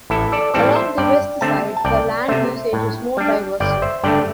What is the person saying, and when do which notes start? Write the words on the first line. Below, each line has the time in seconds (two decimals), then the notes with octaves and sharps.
Along the west side, the land usage is more diverse.
0.10 A1 E4 A4
0.32 A4 D5
0.54 A2 E3 G3 C4 A4 D5
0.75 C5 E5
0.98 G2 D5 G5
1.41 D3 A3 C4 E5 A5
1.77 A5
1.85 C2 D5 G5
2.28 C3 A3 C5 E5
2.73 A2
3.17 G3 D4
3.60 G1 D5 G5
3.82 C5 E5
4.04 G2 D3 A3 D5 G5